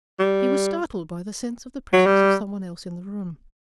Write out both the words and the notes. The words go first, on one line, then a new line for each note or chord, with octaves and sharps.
He was startled by the sense of the presence of some one else in the room.
G3
F#3
G3